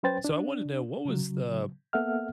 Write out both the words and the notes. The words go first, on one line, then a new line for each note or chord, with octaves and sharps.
So I want to know what was the
F#3 C#4 B4 C5 G5 A6
D4
C#3 F#3
A#3 B3 A4 E5 F#5 F6